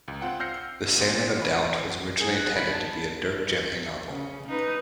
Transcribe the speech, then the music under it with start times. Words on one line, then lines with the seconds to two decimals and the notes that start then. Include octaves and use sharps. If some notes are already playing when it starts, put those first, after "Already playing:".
"The Salmon of Doubt" was originally intended to be a Dirk Gently novel.
0.08 C#2
0.21 C4 F4 F#5 G5
0.40 E6 F6 G6 A#6 C7 C#7
0.99 A#2 B3 C5 C#7
1.38 E3 F4 B5
2.20 G#4
2.35 F#6
2.56 B5
2.73 A5
4.08 C#3
4.48 D#4 B4